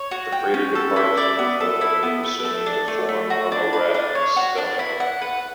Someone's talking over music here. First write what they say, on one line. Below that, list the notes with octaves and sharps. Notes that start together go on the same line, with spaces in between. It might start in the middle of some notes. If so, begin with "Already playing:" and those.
The freighter departs with Odo assuming the form of a rat and stowing away.
Already playing: C#5
F#4
G5
C#4
A4
E4
D5
B3
A4
E4
B3
A3
A4
D4
A3
A3
F#4
D4
B4
D4
C#5
F#4
D4
E4
F#5
B4